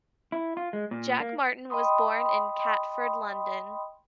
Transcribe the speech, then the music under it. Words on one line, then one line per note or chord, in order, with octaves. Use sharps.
Jack Martin was born in Catford, London.
E4
F4
G#3
A#2
A#3
D#5 G5 B5 C6 D#6